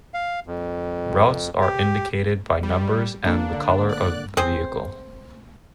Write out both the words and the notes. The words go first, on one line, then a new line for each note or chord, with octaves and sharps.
Routes are indicated by numbers and the colour of the vehicle.
F5
F2
G4
G3
A#3 D4
D3 F#5
D5 F#6
C4 G#4 C5